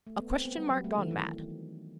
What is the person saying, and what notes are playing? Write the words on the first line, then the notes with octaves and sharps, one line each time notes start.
A question-mark gone mad.
A3
B3
C4
B3
G3
F#3
A3
D#3
E3